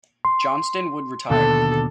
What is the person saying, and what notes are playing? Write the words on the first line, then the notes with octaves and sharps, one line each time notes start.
Johnston would retire.
C6
D#2 B2 D3 A4